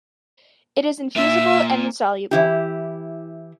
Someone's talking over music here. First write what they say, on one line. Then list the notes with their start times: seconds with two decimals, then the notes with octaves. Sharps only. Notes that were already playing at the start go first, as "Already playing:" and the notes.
It is infusible and insoluble.
1.16 A#3 F4 E5
2.31 E3 E4 G4